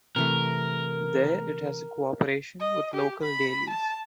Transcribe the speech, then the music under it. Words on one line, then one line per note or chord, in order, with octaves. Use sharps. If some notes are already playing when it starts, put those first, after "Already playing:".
There it has a cooperation with local dailies.
C3 E3 A3 A#4
D#5
G4
B5
A5